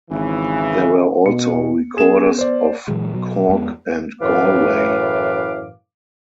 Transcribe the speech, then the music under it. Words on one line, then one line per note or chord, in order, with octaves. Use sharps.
There were also Recorders of Cork and Galway.
G#1 C#3 E3
B2 C#7
B3 G#4 E7
C5 D5
A#2 E3 F#3 G#3
B2 F#3
F2 G#3 B3
F#2 A2 E3 B4 F5 D6